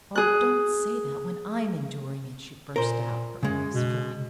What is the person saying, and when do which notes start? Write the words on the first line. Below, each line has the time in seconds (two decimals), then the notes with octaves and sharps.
"Oh, don't say that; when I'm enduring it!" she burst out, her eyes filling.
0.15 G#4 F#6
2.76 A#2 A#4 C5
3.43 F#2 C#3 G#3
3.71 B2